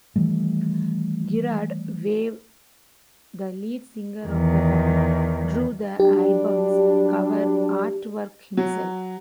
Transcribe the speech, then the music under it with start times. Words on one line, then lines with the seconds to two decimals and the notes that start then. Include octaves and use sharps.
Gerard Way, the lead singer of the band, drew the album's cover artwork himself.
0.16 D#3 E3 G3 A3
4.25 E2 D#3
6.00 F#3 G3 D4 G4
8.57 F#3